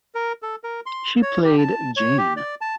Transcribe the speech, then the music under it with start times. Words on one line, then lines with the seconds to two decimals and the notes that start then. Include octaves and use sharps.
She played Jane.
0.15 A#4
0.43 A4
0.64 A#4
0.86 C6
1.22 C#5
1.44 G4
1.58 A5
1.97 C#5
2.18 G4
2.37 D5
2.61 A5